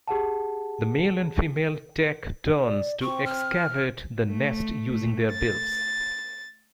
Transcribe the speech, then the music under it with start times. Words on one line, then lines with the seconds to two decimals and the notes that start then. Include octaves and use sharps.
The male and female take turns to excavate the nest using their bills.
0.08 G4 G#4 F#5 A5
2.64 D5
3.02 C4 C#6
3.26 F6
4.30 A3
4.91 A3
5.31 A6